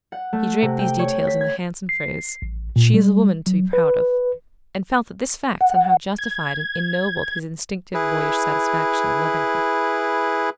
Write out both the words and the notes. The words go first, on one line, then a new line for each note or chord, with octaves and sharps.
He draped these details in the handsome phrase "She's a woman to be proud of", and felt that this fact somehow justified and ennobled his instinctive boyish satisfaction in loving her.
F#5
A3
C3
G5
C#5
B6
G#6
C7
A1
A#2
G3
F#3
B4
F#5
G#6
E4 G#4 B4